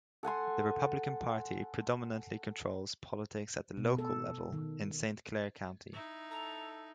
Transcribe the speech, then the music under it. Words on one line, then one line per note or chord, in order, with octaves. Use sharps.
The Republican Party predominantly controls politics at the local level in Saint Clair County.
A4 F#5 G#5 C6
B2
A4
D#3
D#4 E4
A4 A#5